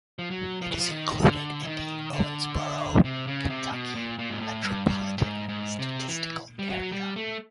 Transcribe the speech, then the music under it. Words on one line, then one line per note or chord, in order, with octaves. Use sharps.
It is included in the Owensboro, Kentucky Metropolitan Statistical Area.
F3
F#3
F3
E3
F3
D#3
D3
E3
D#3
D3
C3
C#3
C3
B2
A#2
A#2
G#2
A2
G2
G2
G#2
G#2
C3
E3
G3
F#3
G3
A3